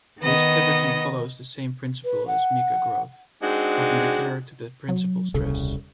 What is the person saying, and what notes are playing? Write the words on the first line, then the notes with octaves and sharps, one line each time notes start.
This typically follows the same principle as mica growth, perpendicular to the principal stress.
D#3 B3 D#5
B4
F#5
G#3 C4 D4 D#4 F#4
F#3
D#1 C2 C#3 A4